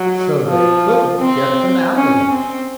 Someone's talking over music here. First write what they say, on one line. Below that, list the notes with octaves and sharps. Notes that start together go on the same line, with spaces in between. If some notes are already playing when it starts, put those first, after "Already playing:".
So they couldn't get them out again.
Already playing: F#3
F3
C4
C#4
C4